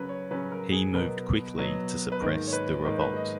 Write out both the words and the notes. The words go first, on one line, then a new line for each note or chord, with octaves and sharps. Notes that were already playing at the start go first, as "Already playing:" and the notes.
He moved quickly to suppress the revolt.
Already playing: C#3 F#3 C#4 A#4 B4
C#5
C#3 F#3 C#4 B4
A#4
G#4
B2 F#3 B3 A#4
B2 F#3 B3
B4
G#2 D#3 A#3 A#4
C#5
B4
G#2 D#3 A#3 A#4
B4
D#5